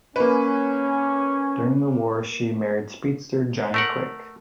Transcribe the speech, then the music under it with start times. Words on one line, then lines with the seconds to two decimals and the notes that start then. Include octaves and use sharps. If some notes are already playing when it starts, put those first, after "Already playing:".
During the war, she married speedster Johnny Quick.
0.16 A#3 C#4 B4
3.74 A3 A#4 F#5